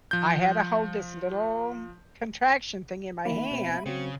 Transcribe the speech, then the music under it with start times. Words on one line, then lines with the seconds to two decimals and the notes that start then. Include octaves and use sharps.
I had to hold this little contraction thing in my hand
0.11 F3 G6
3.25 D#3 A#3 E5 B5
3.51 B2 C4
3.86 C#3 F#3 C4 C#7